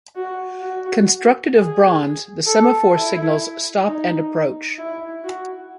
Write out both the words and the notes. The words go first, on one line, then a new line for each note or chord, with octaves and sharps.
Constructed of bronze, the semaphore signals stop and approach.
F#4
F#4
G#4
A4
E4
D#4
E4
F#4